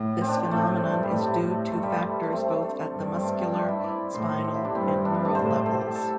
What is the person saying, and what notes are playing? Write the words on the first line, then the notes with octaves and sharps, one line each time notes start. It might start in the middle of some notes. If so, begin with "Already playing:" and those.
This phenomenon is due to factors both at the muscular, spinal and neural levels.
Already playing: A2
C4
D4
C4
A2 A3
G2
G3
A2 A3
A3
G2 A3
G3
A3
A3
C4
D4
A3
G2
C4
A3
C4
D4
E4
D5
A2 C5
A4
G4
E4
D4
G2 C4
D4
G3
A3
A2 C5
C5
A4
G4
A4